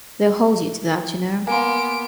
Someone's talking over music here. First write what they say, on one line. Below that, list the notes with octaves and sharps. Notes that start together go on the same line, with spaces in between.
They'll hold you to that, you know.
A#3 B3 G#5 C6 D7